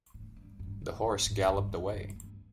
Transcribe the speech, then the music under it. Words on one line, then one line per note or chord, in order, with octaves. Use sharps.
The horse galloped away.
A2
G2
G2
A2
A#2
A2
G2
F2
G2
G2